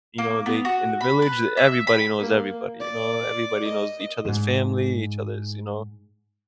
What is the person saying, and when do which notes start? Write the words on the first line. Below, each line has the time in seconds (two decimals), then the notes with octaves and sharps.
you know, they, in the village, everybody knows everybody, you know? Everybody knows each other's family, each other's, you know,
0.18 A#3
0.46 B3
0.65 F#4
1.01 B5
1.22 B4
1.57 E5
1.87 B5
2.18 A#3
2.80 D5
3.64 D#5
4.25 E2 G#2